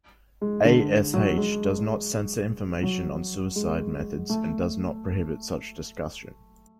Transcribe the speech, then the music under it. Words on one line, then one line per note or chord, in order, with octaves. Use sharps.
A.s.h does not censor information on suicide methods and does not prohibit such discussion.
G#3
D3
F#3
G#3
F#3
G#3
A3